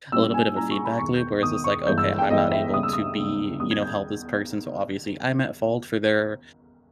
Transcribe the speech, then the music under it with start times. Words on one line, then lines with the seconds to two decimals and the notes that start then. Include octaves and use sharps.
a little bit of a feedback loop, where it's just like, "Okay, I'm not able to be" you know, "help this person, so, obviously, I'm at fault for their
0.12 A#2 G3 C#4 E4 E6
0.34 G#5
0.56 A#2 G3 C#4 E4 A#5
0.71 C#6
0.85 B5
0.99 E1 E2 D#3 C#6
1.14 G6
1.43 E1 E2 D#3 D#6
1.64 C#6
1.86 G1 G2 E3 G#3 G6
1.98 E6
2.19 G5
2.30 G1 G2 E3 G#3 D#5
2.52 E5
2.73 D#2 C#3 G3 D#6
2.83 E6
2.93 D#6
3.17 D#2 C#3 G3
3.59 E2 D#3 G3 C#4 D#6
3.71 G#6
3.82 G6